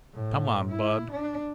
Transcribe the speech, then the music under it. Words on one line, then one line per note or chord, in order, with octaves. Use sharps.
Come on, Bud.
A2
E4
D4